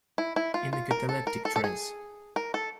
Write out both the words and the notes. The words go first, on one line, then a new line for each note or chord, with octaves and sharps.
In a cataleptic trance.
E4
E4
F4
F4
A#4
A4
A#4
A4
A4
G#4
A#4
A4